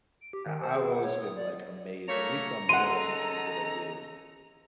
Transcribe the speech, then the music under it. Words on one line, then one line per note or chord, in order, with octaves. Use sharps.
I I've always been, like, amazed- at least on my recipes that I do- of
D7
G4
D#3
C5
G#4
F#5
C#5
D#6
D5
A3 A#3 C#5 A#5
C#3 D#4 A4 F#5 C6 D#7